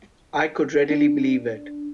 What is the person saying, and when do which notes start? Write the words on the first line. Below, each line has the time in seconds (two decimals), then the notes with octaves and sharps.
I could readily believe it.
0.90 D4